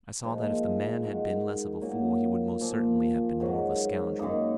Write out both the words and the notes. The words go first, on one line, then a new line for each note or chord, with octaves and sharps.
I saw that if the man had been less of a fool he would most certainly have been more of a scoundrel.
A#2 F3 G#3 D#4
D#3 G#3 D#4 F#4
A#2 F#3 A#3
A#2 F3 A#3 F4
G#2 D#3 F#3
F#2 D#3 A#3 D#4